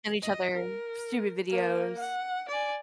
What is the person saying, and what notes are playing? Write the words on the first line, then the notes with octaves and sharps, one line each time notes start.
and each other, stupid videos.
D#5
A#4
A#3 A#4
F#5
D5 G#5